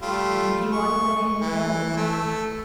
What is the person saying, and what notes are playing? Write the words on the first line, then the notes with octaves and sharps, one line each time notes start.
"I think you ought to let Anne go, Marilla."
G3 A3 F4
C#6
E3
A3